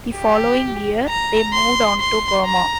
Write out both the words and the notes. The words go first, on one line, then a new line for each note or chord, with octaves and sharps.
The following year, they moved on to Burma.
G4
A#5
C6
C6
A#5